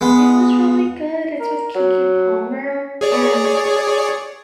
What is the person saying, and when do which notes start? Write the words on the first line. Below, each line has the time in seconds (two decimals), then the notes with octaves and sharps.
It was really good. It's with Keke Palmer and
0.01 G#3 B3
1.40 A#4
1.75 F#3
2.64 C#4
3.01 G#4 C#5 D5